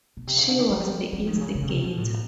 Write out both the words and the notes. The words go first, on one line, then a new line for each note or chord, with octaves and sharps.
She was the instigator.
B2
C3
C#3
D3
D#3
F3
G3
F3
D#3
C3
C#3
C#3
B2
C3
B2
A2